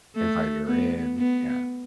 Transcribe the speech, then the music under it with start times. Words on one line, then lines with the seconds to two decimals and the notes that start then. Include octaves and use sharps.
and invited her in. Yeah.
0.16 A3
0.67 B3
1.17 B3